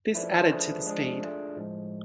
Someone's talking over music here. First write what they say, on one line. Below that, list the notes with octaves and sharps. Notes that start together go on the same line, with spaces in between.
This added to the speed.
F3 A3 E4 B4 D5
F3 A3 D4 G#4 B4
F3 G#3 D4 G#4
A3 D4 F4 G#4
A2 F3 G#3